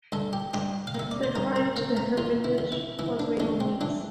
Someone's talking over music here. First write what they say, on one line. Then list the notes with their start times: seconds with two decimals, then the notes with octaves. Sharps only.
The climb to the hermitage was made on knees.
0.12 G2 A4
0.33 G4
0.54 G2 G4
0.87 F5
0.95 A#3 E5
1.11 D5
1.23 C5
1.35 G2 A#4
1.56 A#4
1.76 A#3 A#4
1.97 A#4
2.17 E2 F4
2.44 E4
2.58 E2
2.72 E4
2.99 E3 E4
3.19 D4
3.40 E2 D4
3.60 C4
3.81 E3 D4